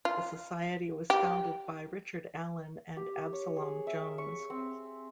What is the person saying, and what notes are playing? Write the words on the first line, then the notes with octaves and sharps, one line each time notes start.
The Society was founded by Richard Allen and Absalom Jones.
F4
G4
G4
C#5
G#4
E5
C#6
C4